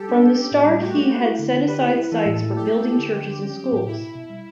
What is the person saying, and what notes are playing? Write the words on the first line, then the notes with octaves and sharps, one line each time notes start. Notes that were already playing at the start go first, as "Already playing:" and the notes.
From the start he had set aside sites for building churches and schools.
Already playing: G3 G4 A4
D4
B3
C#4
A2
G3
A3 F#4
A3
A3
E4
D3
D3
G4 B4
E4
E4
E3 A4
A2
E4
A3 G4
A3
E4
D3
D3
D3
C#4
F#3
A2
B2 E4
B2
B2
G3